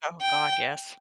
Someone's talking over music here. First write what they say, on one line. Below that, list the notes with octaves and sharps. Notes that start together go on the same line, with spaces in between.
Oh god, yes.
G5